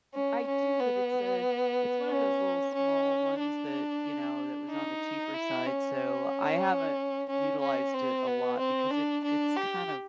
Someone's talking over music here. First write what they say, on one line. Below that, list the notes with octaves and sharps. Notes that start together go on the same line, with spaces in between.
I do, but it's a it's one of those little small ones that, you know, that was on the cheaper side, so I haven't utilized it a lot because it it's kind of,
C#4
C#4
B3
C#4
C#4
D4
D#4
E4
C#4
C#4
C#4
C4
B3
C4
D4
D4
G4